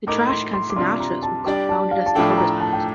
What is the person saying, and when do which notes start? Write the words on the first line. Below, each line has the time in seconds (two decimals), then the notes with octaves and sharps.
The Trashcan Sinatras were founded as a covers band.
0.06 A2 A3 D#4 A#4 D6
0.30 C6
0.53 C6
0.70 D6
0.76 C3 G3 D4 F4 C6
1.00 A#5
1.23 A5
1.45 G3 D4 G4 D5 G5
1.69 A5
1.91 F5
2.06 A5
2.15 A2 F3 A3 D4 A4 G5
2.38 A#5
2.61 A5
2.73 G5